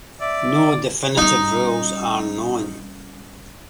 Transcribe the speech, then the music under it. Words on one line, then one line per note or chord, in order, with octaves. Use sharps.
No definitive rules are known.
D5 E5
G3 C#4 D#4